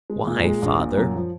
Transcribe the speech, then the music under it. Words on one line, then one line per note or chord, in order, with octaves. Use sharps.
"Why, father?"
G#3
A#2
G#3
A#1
A#2
F#2
F3